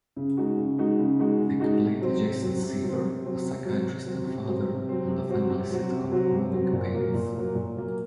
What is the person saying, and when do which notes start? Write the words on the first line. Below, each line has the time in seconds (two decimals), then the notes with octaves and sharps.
Thicke played Jason Seaver, a psychiatrist and father, on the family sitcom "Growing Pains".
0.17 C#3
0.37 G#3 D#4 F#4
0.57 C#3
0.78 G#3 D#4 F#4
0.99 C#3
1.19 G#3 D#4 F#4
1.39 C#3
1.60 G#3 D#4 F#4
1.81 C3
2.02 F#3 C4
2.21 C3
2.42 F#3 C4
2.62 C3
2.83 F#3 C4
3.04 C3
3.25 F#3 C4
3.45 C3
3.65 F#3 C4
3.85 C3
4.06 F#3 C4
4.27 C3
4.47 F#3 C4
4.68 C3
4.89 F#3 C4
5.09 C3
5.29 F#3 C4 F#4
5.50 C3
5.70 F#3 C4 F#4
5.91 C3
6.12 F#3 C4 F#4
6.32 C3
6.52 F#3 C4 F#4
6.73 A#2
6.94 F#3 A#3
7.14 A#2
7.34 F#3 A#3
7.55 A#2
7.76 F#3 A#3